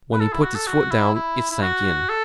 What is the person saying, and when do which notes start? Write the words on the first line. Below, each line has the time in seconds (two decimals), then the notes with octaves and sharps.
When he put his foot down it sank in.
0.13 B4
0.20 A4
0.33 E4
0.43 F#4
0.55 A4
0.67 F#4
0.91 E4
1.15 E4
1.51 E4
1.62 F#4
2.09 A4